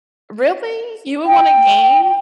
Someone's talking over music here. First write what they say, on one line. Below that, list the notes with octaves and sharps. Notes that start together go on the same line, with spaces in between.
Really? You would wanna game?
G5